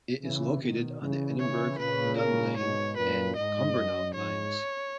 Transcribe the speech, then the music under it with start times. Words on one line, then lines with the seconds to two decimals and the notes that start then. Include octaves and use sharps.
It is located on the Edinburgh-Dunblane and Cumbernauld Lines.
0.21 C#3 E3
0.60 B2 D#3
1.00 C#3 E3
1.39 C#3 E3 C#5
1.78 A#2 C#3 B4
2.18 A#4
2.57 G#2 B2 C#5
2.97 F#2 A#2 B4
3.36 G#2 D#5
3.75 F#2
4.15 G#2 C#5